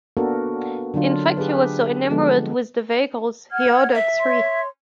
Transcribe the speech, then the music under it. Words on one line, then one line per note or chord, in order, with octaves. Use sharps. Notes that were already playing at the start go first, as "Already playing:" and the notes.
In fact, he was so enamoured with the vehicles, he ordered three.
A#3 B3 D4 F#4 A4 A#4
D3 F#3 D4 F4
G4 G#4 B4
D3 F3 G#3 B3 A4
F#5 F6 G#6
E5
C#5 C6